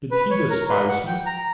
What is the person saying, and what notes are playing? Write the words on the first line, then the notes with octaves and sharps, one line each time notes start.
Did he despise me?
B4
C#5
A#4
B4
F#5
G5
A#5